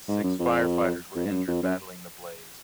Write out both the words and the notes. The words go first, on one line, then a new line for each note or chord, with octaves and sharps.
Six firefighters were injured battling the blaze.
G#2
F#2
F2
F2
G#2
F#2
F2
F#2